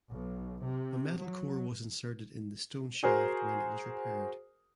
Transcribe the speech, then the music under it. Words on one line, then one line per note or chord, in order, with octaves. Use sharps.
A metal core was inserted in the stone shaft when it was repaired.
B1
C3
F#3
F#4 G#4 A#4 C5